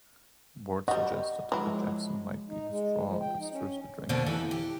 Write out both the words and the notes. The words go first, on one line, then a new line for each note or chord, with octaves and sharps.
Ward suggested that Jackson might be the straw that stirs the drink.
G3 F#4 D#5
F3 F#3 G#3 E4
D#4
G#3
F3
G5
D#4
C#4
B2 D3 A#3 C4 D4
C#3 E3 D#4 A4
G4